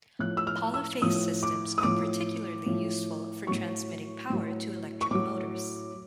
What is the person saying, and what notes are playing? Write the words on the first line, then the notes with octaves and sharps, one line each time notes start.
Polyphase systems are particularly useful for transmitting power to electric motors.
A2 F3 F#6
E6
F6
E6
A2 F3 D#6
D6
D#6
A2 F3 D6
A2 F3
A2 F#3 C#6
A2 F#3
C#6
A2 F#3 D6